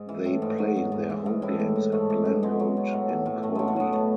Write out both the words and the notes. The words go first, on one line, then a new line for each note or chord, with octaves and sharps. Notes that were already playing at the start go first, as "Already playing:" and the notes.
They play their home games at Glen Road in Colby.
Already playing: G#2
E3
A2
G#2
F#3
G#2
G#2
E3
G#2
A2 E4
E3
A2
G#2 A3
E3
G#2
B2 G#3
F#3
B2
A2
E3
A2
A2 A3
F#3 G#3
A3
A2 B3
B2 A3